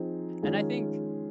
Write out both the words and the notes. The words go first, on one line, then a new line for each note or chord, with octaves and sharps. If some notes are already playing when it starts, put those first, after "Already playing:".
And, I think
Already playing: F3 C4 D#4 G#4
D#3 G#3 C#4 F4 G#4